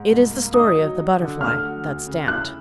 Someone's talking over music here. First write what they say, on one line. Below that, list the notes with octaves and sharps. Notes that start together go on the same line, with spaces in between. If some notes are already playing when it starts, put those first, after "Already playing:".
It is the story of the Butterfly that Stamped.
Already playing: G#2
C2
A#3
D#4 D#6
F#3
F#3
D3
A3 F6
F#4
D2
C#3
E4 F#6